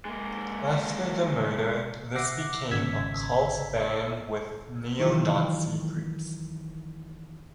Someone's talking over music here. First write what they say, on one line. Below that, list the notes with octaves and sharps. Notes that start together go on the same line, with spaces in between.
After the murder, this became a cult band with Neo-Nazi groups.
G#3 A#3
E5 F#5 D6 A#6 C7
G#1 C#3 E6 G#6 B6
D#3 E3 F#3 F4